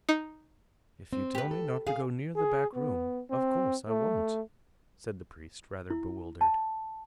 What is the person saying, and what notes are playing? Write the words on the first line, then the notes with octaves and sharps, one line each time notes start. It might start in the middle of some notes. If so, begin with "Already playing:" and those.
"If you tell me not to go near the back room, of course I won't," said the priest, rather bewildered.
D#4
C4
G4 B4
A4
G#4 F5
G#4
B3
C4
A3
E4
A5